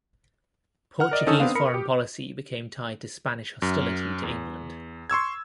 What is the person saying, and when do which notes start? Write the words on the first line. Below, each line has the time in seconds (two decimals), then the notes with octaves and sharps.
Portuguese foreign policy became tied to Spanish hostility to England.
1.00 F#5 F6
1.11 A#4 D5 D#5
1.27 D#3 C#4 D#4 A4 D#6
1.40 B3 C4 D4 F5
1.55 A#4 B5 C#7
1.74 G4
3.62 F#2
4.23 E2
5.10 C6 C#6 E6 G#6